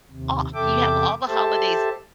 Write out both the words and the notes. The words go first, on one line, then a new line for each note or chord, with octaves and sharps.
off, you have all the holidays
D#2 C3
E2 C3 A4 E5 G5 D6
G4 A4 C5 E5 A5